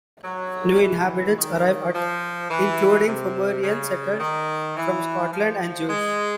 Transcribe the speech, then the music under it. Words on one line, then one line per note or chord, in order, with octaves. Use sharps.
New inhabitants arrived, including Pomeranians, settlers from Scotland, and Jews.
F#3
E3
D#3
F3
E3
C3
C#3
D#3
E3
F3
G#3